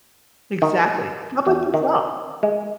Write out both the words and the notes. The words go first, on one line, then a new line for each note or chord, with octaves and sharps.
Exactly. How about yourself?
D#3
E2
D#3
G#3